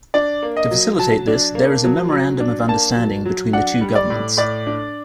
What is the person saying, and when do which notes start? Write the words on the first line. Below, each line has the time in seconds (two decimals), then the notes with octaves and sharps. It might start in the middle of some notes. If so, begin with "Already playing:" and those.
To facilitate this, there is a memorandum of understanding between the two governments.
0.14 D4 D5
0.43 A#3
0.57 D#5
0.71 F#3
0.99 F#3 A5
1.27 D4
1.55 A#3
1.84 F#3
2.12 F#3
2.40 D4
2.68 A#3 A5
2.96 F#3
3.25 F#3
3.53 D4 F#5
3.81 G3
3.95 D5
4.10 A2
4.37 A2 D5
4.67 D4